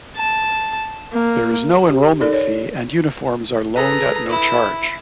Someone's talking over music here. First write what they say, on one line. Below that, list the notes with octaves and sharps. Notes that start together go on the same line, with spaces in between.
There is no enrollment fee and uniforms are loaned at no charge.
A5
A#3
G4
D#4 A4 A#4 D5
C#5
G#4 A4 B4 A#5
E4